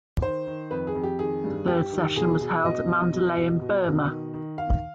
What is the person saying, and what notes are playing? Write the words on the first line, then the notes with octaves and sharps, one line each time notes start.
The third session was held at Mandalay in Burma.
D#3 C5
D#3
F2 B4
G#4
F2
G4
D#3 G#4
G2
G2 G4
D#3
B2 G#4
B2
B2 D#5
B2
B2
B2
B2
B2
D#3
D#3
D#3 F5